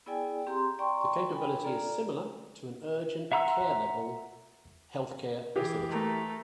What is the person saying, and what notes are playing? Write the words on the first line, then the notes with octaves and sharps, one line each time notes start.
The capability is similar to an urgent care-level health care facility.
B3 E4 G#4 D5 G5 G#5
C4 G4 A#5 C6
D5 G5 A#5 C6 C#6
D4 A4 G5 G#5 B5
F4 A4 D5 A#5
E5 F#5 A#5 C6 E6
E3 G4 G#4
A3 A#4